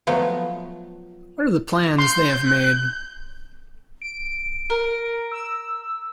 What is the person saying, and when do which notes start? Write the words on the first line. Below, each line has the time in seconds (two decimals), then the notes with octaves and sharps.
What are the plans they have made?
0.07 F3 F#3 A3 B3
1.98 C6 G6
4.02 D7
4.70 A#4
5.32 E6